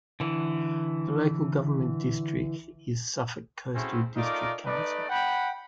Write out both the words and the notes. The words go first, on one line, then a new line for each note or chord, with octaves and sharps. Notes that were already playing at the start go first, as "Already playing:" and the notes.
The local government district is Suffolk Coastal District Council.
D3 E3
A3 C4 C#4 E4 F#4 G#4
A3 D#4 F4 A#4 D5 D6
A3 D#4 B4 D5
F#5 G5 B5